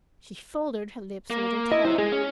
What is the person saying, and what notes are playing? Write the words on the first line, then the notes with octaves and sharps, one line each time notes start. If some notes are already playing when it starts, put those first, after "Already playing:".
She folded her lips a little tighter.
A#3
E4 D#5
E4 C5 E5
G#3 G#4
C#4